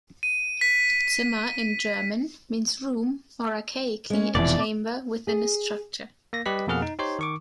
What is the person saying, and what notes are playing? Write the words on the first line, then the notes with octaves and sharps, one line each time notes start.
"Zimmer" in German means room or archaically a chamber within a structure.
D#7
B6
G#3 C#4
F1 B2 E3 D5
G#4
A#3 A#6
G3 G4 B4 D#5 B6
F2 B2 A#3 G#4 F#5 F6
D#4
D#4 G4 C5 C#5 C6
D#3 C#6 D6